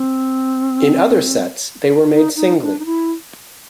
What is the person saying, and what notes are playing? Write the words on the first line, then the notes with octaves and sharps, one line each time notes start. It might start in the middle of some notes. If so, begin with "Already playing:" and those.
In other sets they were made singly.
Already playing: C4
D#4
D#4
D4
D#4
E4